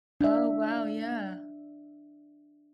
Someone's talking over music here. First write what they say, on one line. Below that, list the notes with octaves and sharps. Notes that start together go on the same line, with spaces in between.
Oh wow, yeah.
D4 E5